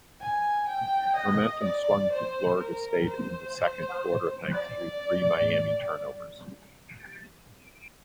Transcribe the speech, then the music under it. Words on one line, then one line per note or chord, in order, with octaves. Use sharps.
Momentum swung to Florida State in the second quarter thanks to three Miami turnovers.
G#5
G5
D#5
D5
C5
A#4
C5
D5